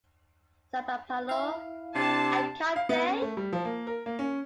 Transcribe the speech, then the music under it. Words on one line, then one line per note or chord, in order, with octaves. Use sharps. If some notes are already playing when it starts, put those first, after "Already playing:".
Zambapalo: And can't they?
E4 F5
C3 D4 A5
F5
B3
C#4
A3
G3
F3
A#3
A#4
A#3
C#4